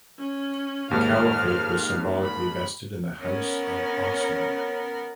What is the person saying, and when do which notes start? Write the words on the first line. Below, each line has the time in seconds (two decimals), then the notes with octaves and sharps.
The caliphate was symbolically vested in the House of Osman.
0.19 C#4
0.91 D#2 G#2 F5 F6
2.23 B5
3.22 B3 C#4 A#4